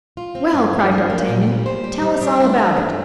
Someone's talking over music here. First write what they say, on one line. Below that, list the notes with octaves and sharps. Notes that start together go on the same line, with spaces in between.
"Well!" cried d'Artagnan, "tell us all about it."
F4
C4
G2
F3
D4
A#3
A#2
G3
C5
G4
G3
D4
E4
A3
G2